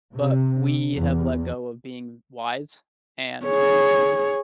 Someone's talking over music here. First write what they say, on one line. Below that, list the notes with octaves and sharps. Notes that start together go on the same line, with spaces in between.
But we have let go of being wise. And
C3
E2
G#4 C#5